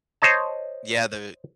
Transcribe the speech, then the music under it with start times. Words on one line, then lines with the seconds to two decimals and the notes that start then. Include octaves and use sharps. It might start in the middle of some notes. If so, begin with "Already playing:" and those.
yeah, the
0.22 C5 C#5 D#5 A5